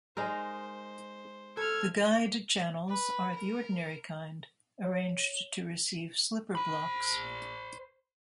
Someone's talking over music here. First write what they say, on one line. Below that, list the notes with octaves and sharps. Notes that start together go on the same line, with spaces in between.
The guide channels are the ordinary kind, arranged to receive slipper blocks.
G#3 D#4 A#4 C5
A4 F6 G#6
B4
A#4
C#5
C5 B5